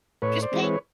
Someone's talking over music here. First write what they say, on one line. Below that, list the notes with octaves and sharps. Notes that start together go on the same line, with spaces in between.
just pay
A2 B4 C#5
C5 D5
E3 G#3 C4
B4 C#5